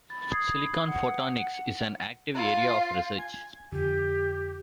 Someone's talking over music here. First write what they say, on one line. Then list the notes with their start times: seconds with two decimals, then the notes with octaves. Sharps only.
Silicon photonics is an active area of research.
0.10 B5 A6
0.32 D#6 G#6 C7
0.87 F#5
2.35 F4
3.18 G#5 G#6
3.72 F2 D3 G4